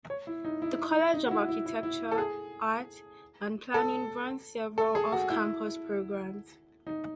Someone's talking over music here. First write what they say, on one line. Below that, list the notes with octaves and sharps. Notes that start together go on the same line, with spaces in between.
The College of Architecture, Art, and Planning runs several off-campus programs.
C#5
E4
D#4
E4
D#4
F#4
E4
E4
E4
E4
A4
G#4
A4
A4
G#4
F#4
E4
D#4